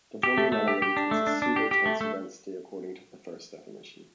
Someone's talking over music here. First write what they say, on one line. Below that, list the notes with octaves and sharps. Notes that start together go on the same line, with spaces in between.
The volume element is a pseudotensor density according to the first definition.
G4
A3
A3
G4
G4
D4
A3
D4
D4
G4
G4
A3
A3